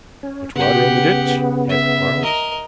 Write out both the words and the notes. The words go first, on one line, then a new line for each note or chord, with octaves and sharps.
"Much water in the ditch?" asked Quarles.
C#4
C#3 B3 G4 F#5
E5
A#4 D#5